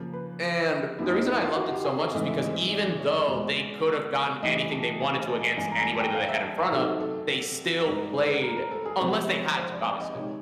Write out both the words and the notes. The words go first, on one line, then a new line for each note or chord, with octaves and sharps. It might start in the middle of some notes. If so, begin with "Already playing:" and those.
And, the reason I loved it so much is because even though they could’ve gotten anything they wanted to against anybody that they had in front of, they still played unless they had to, obviously,
Already playing: C#3 F3 A#3
B4
F#2 D#3 F#3 A#3 E4
D#4
E4
F4
F#4
G4
G#4
A4
G#2 E3 A3 C4 D#5
E5
D#5
D#5
D5
D5
C#5
D5
E2 B2 G#3
A2 E3 G3 D#5
A5
G#5
A5
G#5
G2 E3 G#3 B3 G#5
A#5
G#5
A5
G5
F5
E5
C3 D#3 F#3 A4
A4
G2 D#3 G#3 A#4
C5
B4
A#4
A#4
A4
G#4
C3 F3 G#3 B3 C5
C#5
C5
D5
D5
D#5
C3 D#3 G#3 C#5